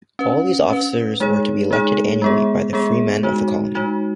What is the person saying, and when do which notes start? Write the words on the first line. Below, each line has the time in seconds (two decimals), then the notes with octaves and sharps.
All these officers were to be elected annually by the freemen of the colony.
0.19 C#4 B4
0.70 C#4 B4
1.20 G#3 D#4 G#4 C#5
1.71 G#3 D#4 G#4 C#5
2.22 G#3 B3 G#4
2.73 G#3 B3 G#4
3.23 G#3 D#4 F#4
3.75 G#3 D#4 F#4